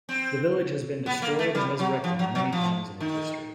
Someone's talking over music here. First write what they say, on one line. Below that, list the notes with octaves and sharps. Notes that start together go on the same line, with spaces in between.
The village has been destroyed and resurrected many times in its history.
C4
B3
A#3
A3
G3
F#3
F3
F#3
F#3
F3
D#3